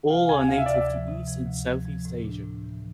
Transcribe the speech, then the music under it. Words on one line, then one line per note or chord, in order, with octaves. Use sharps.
All are native to east and southeast Asia.
C3 F5
D2 G#5
C3 F5
E5
D2 D5
E5
F3
C3
F3
D2
F3
F3
A2
D4
A2
E3